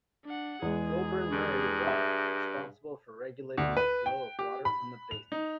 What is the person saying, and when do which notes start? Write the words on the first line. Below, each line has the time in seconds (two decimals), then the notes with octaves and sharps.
Goulburn-Murray Water is responsible for regulating the flow of water from the basin.
0.25 D4 F#5
0.62 E2 G#3 G#4
1.32 G2
1.87 E5
3.58 D2
3.77 B4
4.06 G5
4.39 G4
4.65 B5
5.11 F7
5.32 D#4